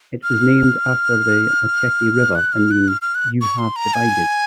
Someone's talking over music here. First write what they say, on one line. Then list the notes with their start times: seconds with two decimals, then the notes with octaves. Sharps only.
It was named after the Macheke River and means "you have divided".
0.23 F6
2.35 F#6
2.53 F6
2.71 F#6
2.88 F6
3.02 F6
3.15 F#6
3.41 C#6
3.59 C6
3.76 A#5
3.94 G#5